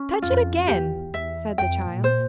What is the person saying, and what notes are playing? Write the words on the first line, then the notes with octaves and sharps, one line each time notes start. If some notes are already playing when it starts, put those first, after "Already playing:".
"Touch it again," said the child.
Already playing: C#4
F2 F4
E2 G4
E2 E5
F2 G5
A#2
C5